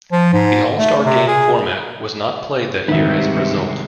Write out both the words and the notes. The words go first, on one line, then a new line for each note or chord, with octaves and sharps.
The all-star game format was not played that year as a result.
F3
G#2
A3
C3
G#4
C2 G#2 C3 D#3 E3 B4 E5